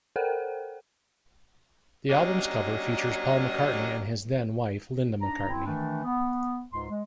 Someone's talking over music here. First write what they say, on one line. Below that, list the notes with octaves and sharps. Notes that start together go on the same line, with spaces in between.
The album's cover features Paul McCartney and his then-wife, Linda McCartney.
A4 A#4 C5 F#5 G5
F#3 A#3 C#4 D4 G4 D#5
D4 D#4 A#5
C4 E4
D#3 E3 A3 D4
B3
C#2 G#2 C6
G#3